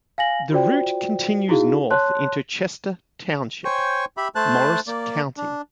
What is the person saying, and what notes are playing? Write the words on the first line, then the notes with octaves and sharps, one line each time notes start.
The route continues north into Chester Township, Morris County.
F5 G#5 A#6 F#7
F4 F#4 C5 D5 G5
D#4 E4 F#4 G#4 F5
C#5 A5 C6 F#6
C5 C#5 G5 G#5 C#6
G4 E5 B5
A3 C5 A5 F#6
A#3 D5
D4